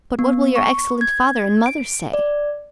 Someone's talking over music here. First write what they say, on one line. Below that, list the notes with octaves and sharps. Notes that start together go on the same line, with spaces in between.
But what will your excellent father and mother say?
B3
C#6
G#6
D7
D5